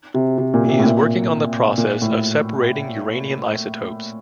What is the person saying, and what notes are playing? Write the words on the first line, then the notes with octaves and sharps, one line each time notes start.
He is working on the process of separating uranium isotopes.
C3
C3
A#2
A#2
C3
A2
A#2
A#2
A2